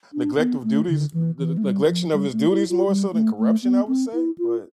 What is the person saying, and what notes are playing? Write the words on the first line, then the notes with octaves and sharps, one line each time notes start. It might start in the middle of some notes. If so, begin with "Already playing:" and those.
Neglect of duties the the neglection of his duties more so than corruption, I would say? But
D4
B3
A3
D3
E3
E3
A3
G3
F3
G3
A3
E4
F4
G3
A3
A3
B3
C4
E4
F4